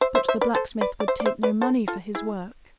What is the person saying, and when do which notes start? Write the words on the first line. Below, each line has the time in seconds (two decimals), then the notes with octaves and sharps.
But the blacksmith would take no money for his work.
0.01 C5 E5
0.15 C5 E5
0.28 C5 E5
0.41 B4 D5
0.55 A4 C5
0.81 B4 D5
1.00 D5
1.08 C5 E5
1.20 D5
1.26 C5 E5
1.43 B4 D5
1.62 A4 C5
1.88 F4 A4
2.15 E4 G#4